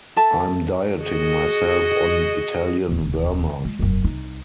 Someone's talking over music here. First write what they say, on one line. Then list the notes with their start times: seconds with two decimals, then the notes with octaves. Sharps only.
I'm dieting myself on Italian vermouth.
0.16 A4 E5 A5
1.00 F#4 G#4 D#5
2.89 D#1 D#2
3.65 G#3
3.79 E1 F#2
4.04 C2 D#4